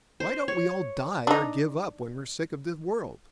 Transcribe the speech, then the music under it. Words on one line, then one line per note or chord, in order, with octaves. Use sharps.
Why don't we all die or give up when we're sick of the world?
C5
C#5
D4 D#4